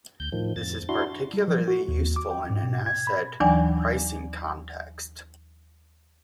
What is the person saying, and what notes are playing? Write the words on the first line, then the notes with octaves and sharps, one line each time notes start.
This is particularly useful in an asset pricing context.
D2 G6
A2 D#3 F3
F2 A6
D4 E4 F#4 C6
G3
F3
F#4
D#2
D6
G5
G#2
B2
G#6
B5
D#2 E3 F#3 D4 D5 G#5